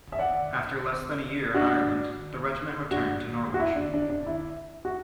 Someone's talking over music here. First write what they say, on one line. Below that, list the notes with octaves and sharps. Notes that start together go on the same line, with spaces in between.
After less than a year in Ireland, the regiment returned to Norwich.
E5
D5 F#5
D4 F#4
D4 F#4
F#4
E4
D4
D4
D4
E4
F#4